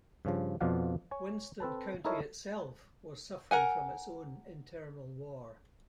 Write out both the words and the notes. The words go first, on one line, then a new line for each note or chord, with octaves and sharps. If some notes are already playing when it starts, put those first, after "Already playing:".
Winston County itself was suffering from its own internal war.
G2 C#3 F3
F2 B2 F3 D5 F5 F#5
C#5 G#5
C4 A4 B4 A5
D#4 E4 A4 A#4 C#5 E5
A#4 F#5 G#5